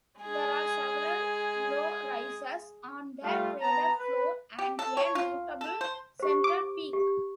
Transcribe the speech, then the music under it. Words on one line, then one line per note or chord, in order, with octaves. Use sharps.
There are several low rises on the crater floor and a notable central peak.
G#3 G#4
G3 A3 F4
B3 A5 A#5
B4
G4
A4
C#5
F4
A4
C5
G4 C5
D6
G4